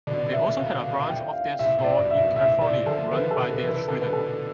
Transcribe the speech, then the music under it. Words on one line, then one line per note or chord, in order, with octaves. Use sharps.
They also had a branch of their store in California run by their children.
B2 D3 D5
E5
F5
F5
G5
F5
A2 C3 E5
A2 C3
D5
G2 B2
E5
G2 B2
A2 C3 E5
A2 C3 D5
D3 F3 A4
D3 F3 B4
A4
B2 D3
B4
C3 E3
B4
B2 D3 A4
B4
A4